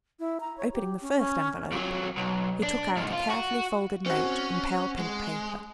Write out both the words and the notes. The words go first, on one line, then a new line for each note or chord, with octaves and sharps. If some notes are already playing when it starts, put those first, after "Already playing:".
Opening the first envelope, he took out a carefully folded note on pale pink paper.
E4
A#5
C#5
G4
C#4
C#4
F2 F#3
B1
D4
C2 G#2
F4
F#4
C4 C#4 F#4
G#3